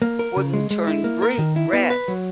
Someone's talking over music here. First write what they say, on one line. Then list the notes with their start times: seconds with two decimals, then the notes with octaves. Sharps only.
wouldn't turn green red.
0.02 A#3
0.19 A#4
0.36 C#3
0.53 G#3
0.71 G#3
0.88 E4
1.04 A#3
1.22 A#4
1.39 D#3
1.56 E4
1.73 B3
1.90 B4
2.08 F#3